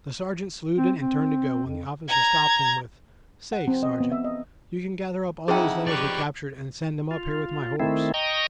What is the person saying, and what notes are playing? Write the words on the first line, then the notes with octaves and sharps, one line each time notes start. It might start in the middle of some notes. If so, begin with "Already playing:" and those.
The Sergeant saluted and turned to go, when the officer stopped him with, "Say, Sergeant, you can gather up all those letters we captured and send them up here with my horse."
C4
C4
F2
A#5 G#6
F#5
C4
D#5
B3
E5
D#5
F2 D#4 E4 G#4 F#5 G5
G4 B4 D5 C#6
F4
D#3 A3 C4 E4
D#5 G5 A#5 C#6 D#6